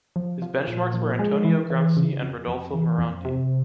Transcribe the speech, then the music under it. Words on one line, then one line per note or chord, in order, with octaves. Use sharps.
His benchmarks were Antonio Gramsci and Rodolfo Morandi.
F3
F3
A#2
F3
G#3
E3
E3
C#3
F2
F2
E3
F2
C3